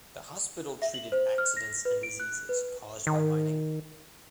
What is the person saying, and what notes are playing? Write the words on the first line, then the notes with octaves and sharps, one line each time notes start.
The hospital treated accidents and diseases caused by mining.
E5
F#7
C5
F6
A#6
B4
D7
F#6
B4
D#3